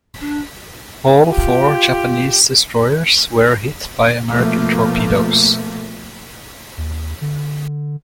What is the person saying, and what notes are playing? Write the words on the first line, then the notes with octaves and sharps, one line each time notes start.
All four Japanese destroyers were hit by American torpedoes.
D4
F4 G4
B2 F3 A3 A#3
D#2
D3